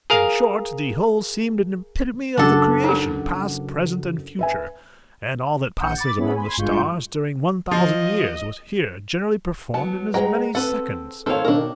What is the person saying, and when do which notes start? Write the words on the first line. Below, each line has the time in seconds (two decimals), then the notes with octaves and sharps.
In short, the whole seemed an epitome of the creation, past, present, and future; and all that passes among the stars during one thousand years was here generally performed in as many seconds.
0.10 G#4 A#4 F5
2.37 F#1 F#3 D4 A4 F#5
2.84 D#4 G4
4.39 B4 E5 G#5
5.79 A#1 F#5 G6 C#7
5.96 B5 D6 A6
6.19 B3 C#4 E4 G#4 C#5 B5
6.36 G#5 B5 C6
6.57 G1 G2 G#3 F4 C#6 G6
7.71 F3 D#5
9.74 F#3 B3 A5
10.14 G#3 B4 F#5 G5 A#5
10.55 C4 A4 B4 F#5
11.26 D#3 C4 A4 C5 C#5 F5
11.45 B2 D#3 D4 A#4